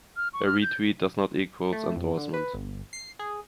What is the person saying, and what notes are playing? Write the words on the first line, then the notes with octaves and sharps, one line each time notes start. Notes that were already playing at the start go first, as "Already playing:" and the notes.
A re-tweet does not equals endorsement.
F6
C#6
F6
G6
A3
F2
D3
B4
G1
C7
G#4